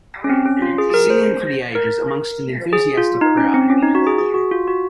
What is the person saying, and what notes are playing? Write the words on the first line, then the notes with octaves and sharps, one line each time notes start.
Singing for the ages amongst an enthusiastic crowd.
C#4
C4
C#4
F4
G#4
G#4
A#4
C5
A#4
G#4
F4
D#4
C#4
C4
C#4
D#4
F#4
G#4
G#4
F#4
F4
F#4